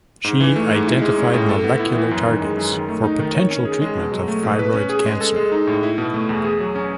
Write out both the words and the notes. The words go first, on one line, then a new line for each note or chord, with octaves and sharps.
She identified molecular targets for potential treatment of thyroid cancer.
G#2
E3
A3
G#2
E4
G#3
C#4
A2
A4
B3
E4
E3
F#2
D#3
G#3
F#2
D#3
A3
D#4
D#3
C#5
C#4
G#4
G#3
B2
F#3
A3
B2
B4
C#4
G#4
G#3
A4
G#3
D#4
A2
E4
B2
A3
E2
G#4
F#3
C#4